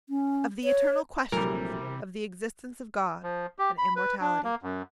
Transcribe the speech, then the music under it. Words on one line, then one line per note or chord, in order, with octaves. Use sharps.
Of the eternal questions, of the existence of God and immortality.
C#4
C#5
A#1 C3 E3 F#3 G3 A3 A#4
F3
G4
B5
B4
D4
A#3
F#2